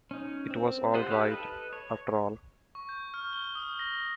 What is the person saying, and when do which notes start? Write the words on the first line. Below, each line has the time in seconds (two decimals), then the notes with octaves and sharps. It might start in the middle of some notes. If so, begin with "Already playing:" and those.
It was all right, after all.
0.11 C#4 D#4
0.51 C4
0.94 F4 G4 C5 D#5 F#5
1.10 D#4 G4 A4 B4 F5
1.30 A4 B4 D#5
1.73 C#5
2.75 C#6
2.89 G6
3.14 F6
3.33 G7
3.55 D#6
3.79 A#6